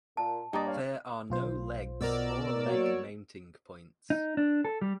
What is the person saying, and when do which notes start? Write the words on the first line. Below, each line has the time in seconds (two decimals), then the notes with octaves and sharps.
There are no legs or leg mounting points.
0.17 A#2 A5
0.53 G2 A#3 D5 D#5 A#5
0.67 C#5 F5
1.30 B1 F4 C5
2.01 B2 A#4 D5 E6
2.66 F#3 A#3 F#4 C#5
4.10 D#4
4.37 D4
4.65 A4
4.82 G3